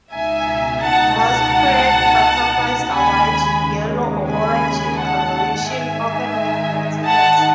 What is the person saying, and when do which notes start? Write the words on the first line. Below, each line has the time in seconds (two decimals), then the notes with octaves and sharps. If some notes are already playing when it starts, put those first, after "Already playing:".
Most pierid butterflies are white, yellow, or orange in coloration, often with black spots.
0.14 C#2 B2 G#3 D#4 E5 G#5
0.83 F#5 A5
1.18 F#5 A5
2.91 D#2 C#3 G#3 G#5 B5
4.29 G#5 B5
4.98 F#5 A5
5.68 G#2 D#3 G#3 D#4 E5 G#5
7.06 F#5 A5